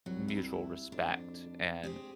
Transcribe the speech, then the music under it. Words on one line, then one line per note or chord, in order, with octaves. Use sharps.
mutual respect and
C2 F#3
E4
F2 D4
C4 G4 G#4